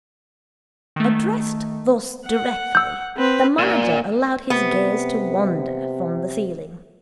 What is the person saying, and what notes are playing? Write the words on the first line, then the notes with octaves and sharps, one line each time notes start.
Addressed thus directly, the manager allowed his gaze to wander from the ceiling.
D#3 A3
F#5
E6 G6
C4 B4
A#2
C3 B3